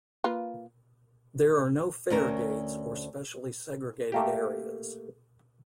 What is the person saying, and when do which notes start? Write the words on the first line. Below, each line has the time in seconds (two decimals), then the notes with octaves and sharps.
There are no faregates or specially segregated areas.
0.24 A#3 F4 B4
2.10 D2 C#4 A#4
4.12 A3 A#3 G4